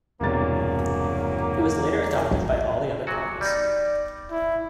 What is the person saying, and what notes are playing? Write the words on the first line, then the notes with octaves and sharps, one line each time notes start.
It was later adopted by all the other colonies.
E1 G2 C3 F#3 A#3 A6
A#2 F#3 F#4
G3 B3 D#4 D5
E4